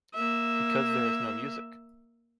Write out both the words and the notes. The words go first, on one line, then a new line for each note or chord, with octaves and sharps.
Because there is no music.
A#3 E5